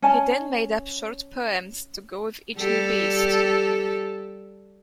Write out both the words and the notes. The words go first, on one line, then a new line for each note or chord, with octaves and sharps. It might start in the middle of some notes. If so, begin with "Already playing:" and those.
He then made up short poems to go with each new beast.
C#4 G#5 A5
G3 G4 A4